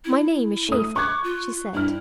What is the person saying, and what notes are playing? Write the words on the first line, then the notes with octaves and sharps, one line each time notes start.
"My name is Shaeffer," she said.
E4
A3 D#6
C#6 D6 F#6 G#6
F4
G2 E4 F6